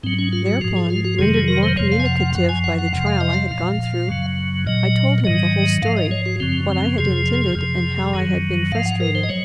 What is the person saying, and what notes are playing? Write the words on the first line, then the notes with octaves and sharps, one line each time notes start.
Thereupon, rendered more communicative by the trial I had gone through, I told him the whole story, what I had intended and how I had been frustrated.
G#2 F#3 C4
C#4
F4
F#4
G#2 F3 F#4
G#4
F4
F#4
F2 C3 D#3 F#3 G#4
G#4
A#4
C5
F2 C3 F3 C#5
F5
G#5
F#5
F#5
F#2 F3 F#5
G#5
F#5
F#5
F2 C3 F3 F#5
F5
D#5
F5
A#2 F3
F#2 C#3 F#3
A#2 F#3 D#5
G#2 D#3 F#3 D#5
G#2 F3 F5
D#5
C#5
F#4
F#2 C#3 F3 C4
C4
F2 C3 F3 G#4
F2 C3 F3
F#2 D#3 F#3
G#2 F3 F5
F#5
A#4
C5
D#5
F#3 C#5